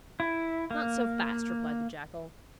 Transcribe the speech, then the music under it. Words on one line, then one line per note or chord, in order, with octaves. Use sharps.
'Not so fast,' replied the jackal.
E4
A#3